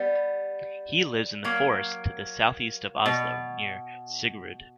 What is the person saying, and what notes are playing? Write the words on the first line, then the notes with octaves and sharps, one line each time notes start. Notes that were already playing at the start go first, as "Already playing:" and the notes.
He lives in the forests to the southeast of Oslo, near Siggerud.
Already playing: G3 B3
F#3 A#3
B2